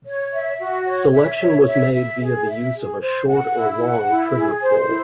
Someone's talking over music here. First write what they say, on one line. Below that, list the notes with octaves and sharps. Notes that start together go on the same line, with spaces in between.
Selection was made via the use of a short or long trigger pull.
C#5
E5
F#4
C#5
E5
C#5
E5
E5
G#4
E5
G#4
C5
F#5
E4
F#5
E4
G#4
C5
E4